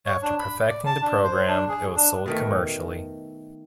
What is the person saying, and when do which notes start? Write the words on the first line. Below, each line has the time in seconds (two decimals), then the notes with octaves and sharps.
After perfecting the program, it was sold commercially.
0.06 C#5
0.23 D4
0.39 B5
0.69 D5
0.86 A5
1.02 D4
1.24 C5
1.48 D4
1.69 G#4
1.96 D4
2.26 B2 D#3 A3